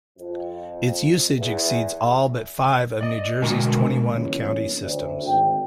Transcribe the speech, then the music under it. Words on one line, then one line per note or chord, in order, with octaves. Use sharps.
Its usage exceeds all but five of New Jersey's twenty-one county systems.
F2
E2
D5 D#5
B2 D3 G#3 F#4 A#4 G#5
G1 E3 A#3 C#4 C#5 D#5
D2
G#1 G5